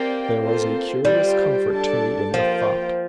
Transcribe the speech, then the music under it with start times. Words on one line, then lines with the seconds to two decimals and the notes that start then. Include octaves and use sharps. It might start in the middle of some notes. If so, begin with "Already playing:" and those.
There was a curious comfort to me in the thought.
Already playing: A#3 C4 G4 A#4 D5 G5
0.40 C4 F4 A4 C5
1.05 G3 F4 C5 G5
1.69 D4 A4 D5 A5
2.33 F3 A#3 F4 C5 G5